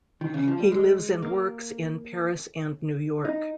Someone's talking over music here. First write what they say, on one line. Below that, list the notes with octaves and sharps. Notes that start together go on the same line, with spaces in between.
He lives and works in Paris and New York.
D#3
C#3
F3
G3
G#3
A#3
D#4